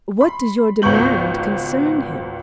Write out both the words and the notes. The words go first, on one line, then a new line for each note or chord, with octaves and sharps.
What does your demand concern him?
B5 C6
G#1 C#2 B3 C#6 G6 F#7